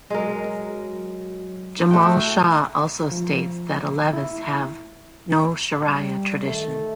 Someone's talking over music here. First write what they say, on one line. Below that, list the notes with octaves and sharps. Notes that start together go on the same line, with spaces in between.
Jamal Shah also states that Alevis have "no Shariah tradition".
F#3 G#3 A#4
A2 A3 F#4 G5
F3
E4
G3
D#3 A3